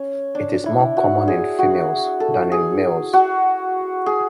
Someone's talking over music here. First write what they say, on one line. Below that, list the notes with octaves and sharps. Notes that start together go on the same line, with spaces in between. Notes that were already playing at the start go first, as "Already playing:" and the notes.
It is more common in females than in males.
Already playing: C#4
D4
E4
F#4
G#4
F#4
A4
G#4
F#4
G#4